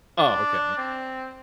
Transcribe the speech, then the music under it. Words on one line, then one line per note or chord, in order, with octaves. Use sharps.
Oh, okay.
D4
C4